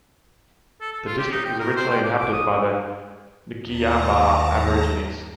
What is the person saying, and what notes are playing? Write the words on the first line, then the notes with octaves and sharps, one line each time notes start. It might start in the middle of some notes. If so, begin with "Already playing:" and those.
The district was originally inhabited by the Ngiyambaa Aborigines.
A4
A4
F4
G4
D#4
G5
A#4
C5
G5
D6
D6
D#6
D#2 A5 A#5 A#6